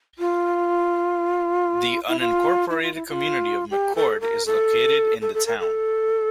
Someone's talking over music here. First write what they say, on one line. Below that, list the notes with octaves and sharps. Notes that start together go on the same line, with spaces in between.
The unincorporated community of McCord is located in the town.
F4
E4
F4
E4
F4
E4
F4
G4
A4
A#4
A4
A4
A4
A#4
A4